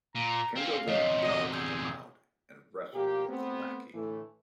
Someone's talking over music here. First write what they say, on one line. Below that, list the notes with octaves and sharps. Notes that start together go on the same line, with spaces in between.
Kendall then charged the mound and wrestled with the Lackey.
A#2 A#5
C4 C#4 F5
E2 C3 C#5 D#5
F#4 D5 D#5
G#4 E6 G6
B2 F3 G3 A#3 G4
A3 B3 C4
A2 D3 E3 A3